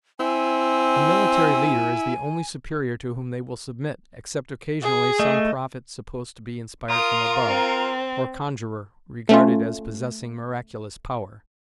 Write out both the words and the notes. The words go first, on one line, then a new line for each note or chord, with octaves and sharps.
A military leader is the only superior to whom they will submit, except occasionally some prophet supposed to be inspired from above, or conjurer regarded as possessing miraculous power.
C4 E4 G#5
G#4
A3 D#5
F4 A#4 D#6
C4
A3 C#4 F4